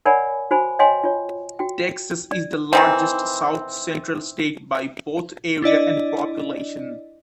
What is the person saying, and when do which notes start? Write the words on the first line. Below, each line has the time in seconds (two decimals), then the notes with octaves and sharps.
Texas is the largest South Central state by both area and population.
0.05 A#4 C#5 D5 F#5 G#5 B5
0.51 F#4 C5 G#5 B5
0.79 C#5 D#5 F5 G5 G#5 C6
1.04 F4 C#5
1.59 F#4 G5
2.32 D5
2.73 D#3 E3 C4
5.62 D4 E4 D5 D#5